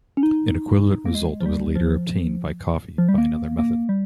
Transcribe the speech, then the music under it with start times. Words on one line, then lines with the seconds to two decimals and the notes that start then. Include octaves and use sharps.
An equivalent result was later obtained by Coffey by another method.
0.17 C#4
0.23 D#4
1.06 A#3
1.15 G#3
1.40 F3
1.46 G3
1.75 F3
2.98 F3
3.09 G3
3.18 A#3
3.59 A#3
3.89 G3